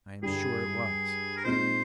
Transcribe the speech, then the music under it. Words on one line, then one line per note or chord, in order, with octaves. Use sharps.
I am sure it was.
G2 D3 G3 G#4
A#4
A#2 G#3 C4 D#4 C5